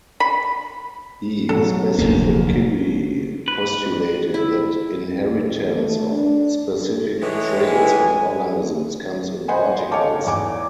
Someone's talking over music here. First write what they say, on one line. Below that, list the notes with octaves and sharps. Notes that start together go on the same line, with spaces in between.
He specifically postulated that inheritance of specific traits in organisms comes in particles.
B5
A1 B2 F#3 A4
F1 D2 A#3
B4
E4
D#2
A3
D4
A2 E3 G#3 C#5
G#5
C5 D#5 F#5 G#5 B5
C#5 D#5 F5 G5 A5 D6
D#4
E2 G#5 D6